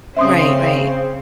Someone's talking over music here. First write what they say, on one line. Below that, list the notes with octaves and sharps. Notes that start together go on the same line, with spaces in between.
Right, right.
C#3 C4 C#4 C5 E5 C6 D#6